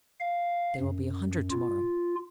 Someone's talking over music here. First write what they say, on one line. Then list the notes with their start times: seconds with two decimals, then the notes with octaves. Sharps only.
"There will be a hundred to-morrow."
0.20 F5
0.81 F#2
1.51 F4